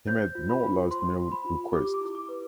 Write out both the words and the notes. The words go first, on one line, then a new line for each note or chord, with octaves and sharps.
He made no last meal request.
C5 G6
F4
B5
F4
C5 C6
C5
B5
F4
G4 D6
D6
E4
D6
B4